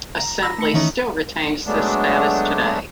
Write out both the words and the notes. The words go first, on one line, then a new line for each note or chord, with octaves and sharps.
Assembly still retains this status today.
A#5
B5 E6 A#6
A3 C#7 F#7
D#3 E3 C#4 D#4 A#5
F#3 G#3 A3 B3 D4